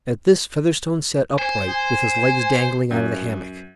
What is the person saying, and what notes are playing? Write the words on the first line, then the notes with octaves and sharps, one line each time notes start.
At this Featherstone sat upright, with his legs dangling out of the hammock.
C5 G#5
G#5
F#2